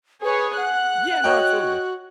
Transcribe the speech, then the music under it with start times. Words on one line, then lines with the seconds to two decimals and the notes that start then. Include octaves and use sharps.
Yeah, no, absolutely.
0.24 G#4 B4 C#5
0.57 F#5 F#6
1.24 F#4 C#5 D#5 G5